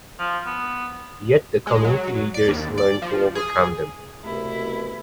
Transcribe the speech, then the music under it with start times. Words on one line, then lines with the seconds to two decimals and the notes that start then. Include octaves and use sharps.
Yet, the community leaders learned to overcome them.
0.19 F3
0.46 B3
1.67 G#3
1.85 F#3
2.34 D5
2.48 D#2
2.78 D5
3.02 F3
3.35 G#4
4.24 C2 B2 A3 E4